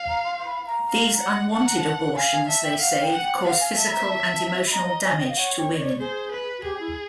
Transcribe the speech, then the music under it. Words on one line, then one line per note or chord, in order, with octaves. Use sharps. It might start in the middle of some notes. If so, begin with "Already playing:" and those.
These unwanted abortions, they say, cause physical and emotional damage to women.
Already playing: F5
A#5
C6
C6
B5
A#5
F5
F#5
F#5 A5
A#5
A5
F5 G#5
G#5
E5 A5
G5
F5 F#5
G5
F#5
G5
F5 F#5
G#5
E5 A5
B5
A#5
A5
B5
D#5 A#5
A#5
G#5
G5
F5
C#5 F#5
G5
D#5
D5
G#4 C5
B4
F#4
G4 G#4
E4